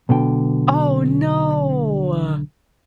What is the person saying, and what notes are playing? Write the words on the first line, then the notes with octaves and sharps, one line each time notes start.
Oh, no.
B1 B2 D3 G5